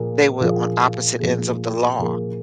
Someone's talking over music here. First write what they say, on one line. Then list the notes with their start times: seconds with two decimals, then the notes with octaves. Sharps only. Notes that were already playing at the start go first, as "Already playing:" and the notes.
they were on opposite ends of the law.
Already playing: A#2 F3 A#3 G#4
0.40 A#2 F3 A#3 G#4
1.20 A#2 F3 A#3 G#4
1.99 A#2 F3 A#3 G#4